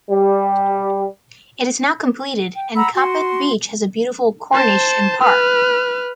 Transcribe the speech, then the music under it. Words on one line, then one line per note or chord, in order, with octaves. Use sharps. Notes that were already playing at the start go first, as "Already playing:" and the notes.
It is now completed and Kappad beach has a beautiful corniche and park.
G3
G5
F#5 A#5 B5 E6
F#4 C6
C5 A5
B4 F6